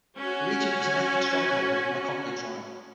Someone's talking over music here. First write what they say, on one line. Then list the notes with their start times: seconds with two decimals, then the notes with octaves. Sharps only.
The region is an ethnic stronghold of the Makonde tribe.
0.17 C#4 F#4